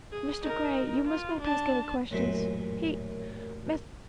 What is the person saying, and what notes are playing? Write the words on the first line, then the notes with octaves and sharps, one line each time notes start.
Mr. Grey, you must not ask any questions. He,--Mr.
G#4
D#4 A#4
F4
D4 A5
A1 F#2 A#2 C5 B5